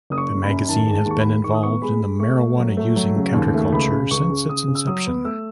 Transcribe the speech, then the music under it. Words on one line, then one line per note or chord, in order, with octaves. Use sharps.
The magazine has been involved in the marijuana-using counterculture since its inception.
F#1 D#6
C#6
F#1
B5
F#2
D#3 A5
G#3
A5
D#2
C#6
B5
G#3
D#3 C#6
D#6
B3 C#6
G#3 B5
G#3
A3 C#6
A3
F#3
A3
F#3
C#3
D#2
A3
C#2 B5
C#3
C#2 C#6
C#3
C#3 D#6
C#3
E6
F#3 D#6
B3
A3 E6